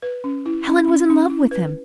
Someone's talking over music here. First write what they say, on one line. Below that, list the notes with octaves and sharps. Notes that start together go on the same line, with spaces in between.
Helen was in love with him.
B4
C#4
E4
C#4
C#4
C#4
E4
B4